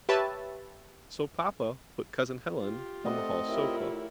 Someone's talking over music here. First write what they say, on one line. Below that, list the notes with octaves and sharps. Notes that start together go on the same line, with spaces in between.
So Papa put Cousin Helen on the hall sofa.
G4 B4 C#5 E5 A5
F4 G4
A3 C4 D5 D#5 F#5
E4 F4 G4 A#4 C#5